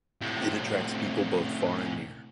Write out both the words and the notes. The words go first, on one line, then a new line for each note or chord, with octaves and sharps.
It attracts people both far and near.
A2 C3